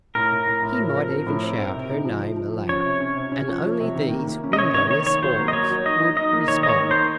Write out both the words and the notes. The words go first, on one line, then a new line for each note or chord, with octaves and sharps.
He might even shout her name aloud, and only these windowless walls would respond.
A2 A#4
A2
A2
A2
F3
C4
F3
A2
C4
C4
C3
D#4
F3
F3
F3
F3
C#4 C#5
C3
C#4
C3
C#4
F3
F3
C3
D#3
A#3
A#3
C#4
D#5
C3 C#5
D#3 C#5
A#3 C#5
D#3 C#5
F#3 C5
A#3
D#5
A#3 C#5
F#3
D#4 D#5
D#4
D#4 D#5
A#3
D#3 C#5
D#3 D#5
C#5
A#3
C5
D#4